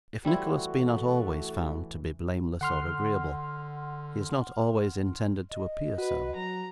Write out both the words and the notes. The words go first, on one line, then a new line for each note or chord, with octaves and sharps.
If Nicholas be not always found to be blameless or agreeable, he is not always intended to appear so.
E3 G3 A3 C4 E4 F#4
D3 F#5 C6 F6
D#5
F#4 B4
F#3 A#5